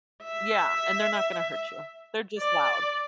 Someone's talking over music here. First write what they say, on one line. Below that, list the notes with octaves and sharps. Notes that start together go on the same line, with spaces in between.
Yeah. And they're not gonna hurt you, they're just loud.
E5
D5